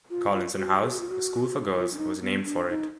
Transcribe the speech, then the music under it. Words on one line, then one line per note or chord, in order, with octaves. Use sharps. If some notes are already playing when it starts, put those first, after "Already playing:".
Collinson House, a school for girls, was named for it.
F4
F4
F4
F#4
G#4
F#4
F4
F#4
F4
D4
D#4
B3
D4
D#4